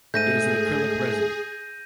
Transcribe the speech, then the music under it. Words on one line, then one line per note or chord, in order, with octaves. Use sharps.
It is an acrylic resin.
G#2 A3 G#4 G6 A#6 D#7